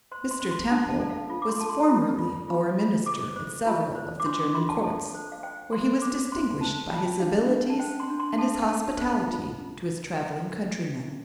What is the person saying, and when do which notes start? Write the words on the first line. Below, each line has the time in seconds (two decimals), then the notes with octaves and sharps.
Mr. Temple was formerly our minister at several of the German Courts, where he was distinguished by his abilities and his hospitality to his travelling countrymen.
0.12 C5 C6
0.31 C6
0.40 C5
0.51 C6
0.70 D4 A5
0.90 A5
1.00 A4
1.10 F5
1.30 F4
1.42 D6
1.49 C6
1.58 A4 A5
1.69 C6
1.89 F4
2.18 F4
2.48 F4
2.77 F4
3.06 A4 D6
3.36 C5
3.67 F4
3.95 C5
4.20 D6
4.25 D4 C6
4.40 D6
4.55 F4 C6
4.69 A5
4.77 G5
4.84 A4 A5
5.14 C5
5.32 F5
5.43 C5 G5
5.72 C5 C6
6.02 C5 D6
6.32 C5 C6
6.61 C5 A5
6.91 F4 G5
6.98 A5
7.05 G5
7.20 D4 F5
7.50 D4
7.70 A5
7.79 C5 G5
8.00 C6
8.10 D4
8.20 C6
8.38 A4 A5
8.62 G5
8.68 D4 A5
8.97 C5 A5
9.27 F4